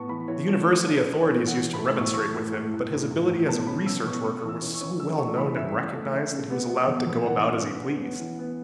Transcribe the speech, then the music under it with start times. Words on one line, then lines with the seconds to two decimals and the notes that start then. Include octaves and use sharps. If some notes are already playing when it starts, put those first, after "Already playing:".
The University authorities used to remonstrate with him, but his ability as a research worker was so well known and recognized that he was allowed to go about as he pleased.
Already playing: A2 B3 A5 C#6
0.09 E3 B5
0.28 E3 C#5
0.47 A3 C#5
0.65 C#4
0.85 C#4
0.98 B4
1.04 C#4
1.22 E3 C#5
1.41 E3
1.48 F#5
1.60 E3
1.73 B5
1.79 A3
1.97 A2 C#6
2.06 E6
2.14 A3 C#6
2.36 A2
2.54 A2
2.74 A2
2.93 A2
3.11 A2
3.31 A2
3.49 B2 A5
3.67 C#4 B5
3.86 C#4 E6
4.06 B2 C#6
4.24 C#4 C#6
4.43 E3
4.49 E6
4.62 C#4
4.75 C#6
4.81 C#4
5.00 E3 E6
5.18 A3 C#6
5.37 E3 B5
5.56 E3 E5
5.75 C#4
5.94 A3
6.13 C#3 E5
6.31 C#3
6.50 B3
6.69 B3
6.88 B2
7.07 B2
7.26 E3 F#5
7.45 C#4
7.64 C#4
7.83 C#4
8.01 B3
8.20 E3
8.39 B3